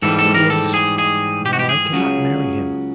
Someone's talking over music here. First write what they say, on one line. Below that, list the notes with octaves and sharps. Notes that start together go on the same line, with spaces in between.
He is--no, I cannot marry him.
G#2 E3 G3 A4
A4
A#4
A4
G#4
G#4
G4
F#4
G4
G#4
C#2 C#3 F#3